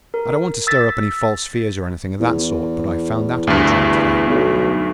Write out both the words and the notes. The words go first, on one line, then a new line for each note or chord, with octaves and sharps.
"I don't want to stir up any false fears, or anything of that sort--but I found that on the trail to-day!"
A#4
E6 A6 B6
E2
D2 G2
B1